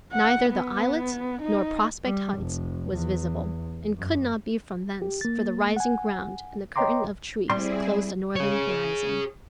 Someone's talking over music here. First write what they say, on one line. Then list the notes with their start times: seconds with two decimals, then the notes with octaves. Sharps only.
Neither the islet nor Prospect Heights was visible, and could not be from thence, for the rising ground and the curtain of trees closed the northern horizon.
0.12 F#5
0.50 B3
1.42 D#4
2.05 G3
2.38 F1
2.94 E2
3.97 F#2
5.02 G4
5.21 A#3 A6
5.76 F#5 G#5
6.76 C#5 D#5 G5 A#5 C6 D6
7.50 G3 C4 E4 G#4 C6
8.36 G#4 C#5